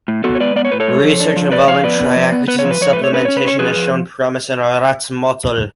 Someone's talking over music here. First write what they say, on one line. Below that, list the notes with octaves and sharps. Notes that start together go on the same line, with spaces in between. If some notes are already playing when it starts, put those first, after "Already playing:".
Research involving triacetin supplementation has shown promise in a rat model.
A2
B3 F#4 A4
C#5
G#3 B4 D5
B3 D5
C#5
A2 B4
A4 C#5
G#3
F3
D4
F3
F3 B4 D5
F3 C#5 F5
B3 B4 D5
B3
F3
B3
B3 B4
C#5
F3
B4
F3 C#5
A3 B4
C#5
C#4 B4
C#4 C#5
B4
C#4 C#5
F3 G#4 B4
F3